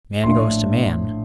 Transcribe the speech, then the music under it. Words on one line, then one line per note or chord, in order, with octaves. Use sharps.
Man goes to Man!
A#1 A2 A3 D4 C6